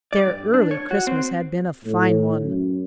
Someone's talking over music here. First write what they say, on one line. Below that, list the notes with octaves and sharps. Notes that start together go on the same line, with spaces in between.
Their early Christmas had been a fine one.
D5
G2
D4
C#5
F#4
C4
A2
F#2